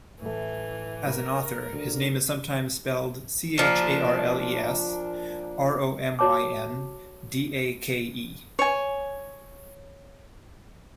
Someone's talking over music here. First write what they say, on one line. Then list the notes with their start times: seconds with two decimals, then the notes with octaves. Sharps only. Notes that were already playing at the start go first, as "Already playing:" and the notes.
As an author, his name is sometimes spelled Charles Romyn Dake.
0.22 A2 E3 A3
1.11 A#4
1.73 D2 D3
3.58 A#2 F3 D4
6.19 F#4 C#5 A5 D6
8.59 C#5 G#5